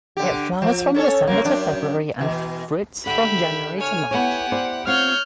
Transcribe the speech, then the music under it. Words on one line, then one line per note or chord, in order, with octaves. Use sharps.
It flowers from December to February and fruits from January to March.
D3 G4
F3
C#4 A4 C#5
C#3 F#3 A#3
F#2 D4
B2 E3
D3 G4 E5 F#5 B5
C#5 G#5 F6
B3 E4 G4 C#5 F#5
E4 C5 D5
C4 F4 C#5 F#5 F6 G6